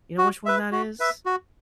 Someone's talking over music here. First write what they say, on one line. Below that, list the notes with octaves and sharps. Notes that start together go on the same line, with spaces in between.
You know which one that is?
F#4
B4 E5
F#4
B4 E5
F#4